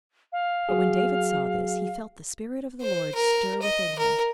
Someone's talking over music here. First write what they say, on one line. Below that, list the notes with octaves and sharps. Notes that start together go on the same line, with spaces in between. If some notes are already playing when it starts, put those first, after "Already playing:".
But when David saw this, he felt the spirit of the Lord stir within him.
F5
F#3 F#4 G#4
C5
A#4
D#5
A#4